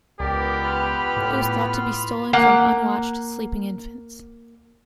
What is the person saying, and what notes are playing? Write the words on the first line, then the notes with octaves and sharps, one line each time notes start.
It was thought to be stolen from unwatched, sleeping infants.
C#2 B3 G4 A#4 D5
F4 B5 F6
A2
A#3 F#5